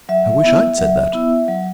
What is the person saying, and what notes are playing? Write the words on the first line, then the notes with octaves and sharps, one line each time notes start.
"I wish I'd said that."
F#3 E5
B3 E4
F#3
B3 E4
F#3